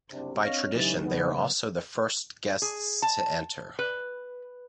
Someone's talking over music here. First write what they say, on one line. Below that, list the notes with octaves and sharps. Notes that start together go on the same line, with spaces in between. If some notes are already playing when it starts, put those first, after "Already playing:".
By tradition they are also the first guests to enter.
F#1 C2 C3 D4
C4 D4 C#5 D#5 F5 F6 A#6
G#1 A2 C#3 E3 F#3 D#4 G4 A6
B3
G#4
A5
B4